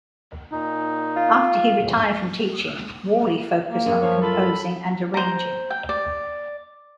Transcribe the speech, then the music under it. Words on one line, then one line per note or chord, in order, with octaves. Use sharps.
After he retired from teaching, Worley focused on composing and arranging.
A#2 D#4
F4
A#3
F#2 G#4
F3 C#5 F5
F4 A4 B5
C5 A#5
G5
D5